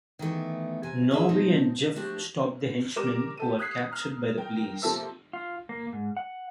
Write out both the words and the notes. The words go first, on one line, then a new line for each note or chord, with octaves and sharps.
Norby and Jeff stop the henchmen who are captured by the police.
D#3 E3 A3 B3
C3 G#5
A#3 G#4 E5
B2 A3 C4 D#4
F3 A3 D4 F#4 G4
G3 A#4 D6 E7
G4 A4 D#7
D#6 F#6 G#6 B6 C7
A#5 F6
A#4 G5
C3 F3 A#3 A4 E5 E6
F4
A#3
G#2
F#5